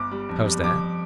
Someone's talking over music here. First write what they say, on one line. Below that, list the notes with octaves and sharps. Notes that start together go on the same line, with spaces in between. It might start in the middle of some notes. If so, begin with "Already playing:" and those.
How's that?
Already playing: G1 D6
G3
F2
G3
F2 D6